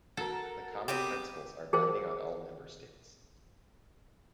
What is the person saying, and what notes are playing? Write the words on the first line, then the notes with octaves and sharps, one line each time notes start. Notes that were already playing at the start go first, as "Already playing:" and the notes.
The common principles are binding on all Member States.
F#4 A4 A#4
B3 C4 G4 D6 G6 D#7
G#4 A#4 C5